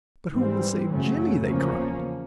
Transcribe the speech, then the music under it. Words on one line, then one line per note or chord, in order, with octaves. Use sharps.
"But who will save Jimmie?" they cried.
G#2 E3 G3 C4
F#2 C#3 F#3 A3 C#4
E2 C#3 F3 A#3 C#4